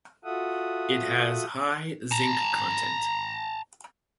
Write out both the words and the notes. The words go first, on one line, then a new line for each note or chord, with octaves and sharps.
It has high zinc content.
F4 F#4 A4 E5 F#5 D#6
A5 A#5